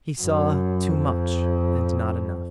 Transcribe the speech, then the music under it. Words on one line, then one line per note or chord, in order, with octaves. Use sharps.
He saw too much, and not enough.
F#2
F2